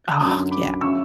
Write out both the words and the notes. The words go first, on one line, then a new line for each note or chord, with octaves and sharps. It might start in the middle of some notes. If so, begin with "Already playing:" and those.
Oh, yeah.
F#2 D3 F#3
B5 D6
C#3 F#3 C#4 E4 C#6 E6